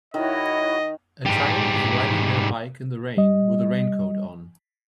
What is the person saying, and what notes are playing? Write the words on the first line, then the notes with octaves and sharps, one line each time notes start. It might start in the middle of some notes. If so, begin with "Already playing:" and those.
A child is riding their bike in the rain with a raincoat on.
D#3 E4 F#4 C#5 D#5
G#2 G3
G3 D#5